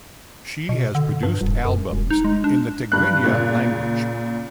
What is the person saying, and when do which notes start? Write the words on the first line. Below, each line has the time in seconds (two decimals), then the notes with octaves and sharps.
She has produced albums in the Tigrinya language.
0.69 B2
0.95 D3
1.23 G2
1.41 D#1
1.65 F#2
1.92 E1
2.11 D#4
2.25 G#3
2.44 D4
2.92 G2 F#6
3.24 A#2 C#3